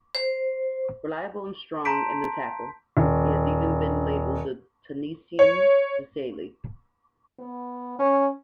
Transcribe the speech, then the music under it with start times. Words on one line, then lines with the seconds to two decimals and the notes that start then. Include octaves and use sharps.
Reliable and strong in the tackle, he has even been labelled "the Tunisian Desailly".
0.15 C5
1.85 A5 A#5 C6 G6 B6 D7
2.97 D#1
5.39 C#5
7.39 B3
7.99 C#4